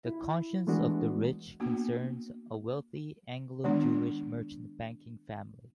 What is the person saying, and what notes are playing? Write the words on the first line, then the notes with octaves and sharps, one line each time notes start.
"The Conscience of the Rich" concerns a wealthy, Anglo-Jewish merchant-banking family.
E4
E3 G#3 A3 B3 D4 F#4
A#3 B3 D4 F#4
D#3 G#3 B3 D4